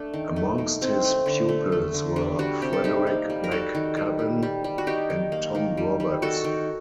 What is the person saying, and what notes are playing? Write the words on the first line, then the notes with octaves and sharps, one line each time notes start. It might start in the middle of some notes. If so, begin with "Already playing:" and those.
Amongst his pupils were Frederick McCubbin and Tom Roberts.
Already playing: A3 D4
D#3
A3
D#3
A3 C4
A3
D3
A3
A3
D3
G3 D4
G3 D4 F#4
C3 G4
A4
G3 D#4 G4
A#3
G3
A#4
G3 F#4 A4
D#3
G3
G3
G3
G3
F#4
D#3 D#4 G4
D#3
A#3
D#3
G3
G3
D#3 F#4 A4
D#3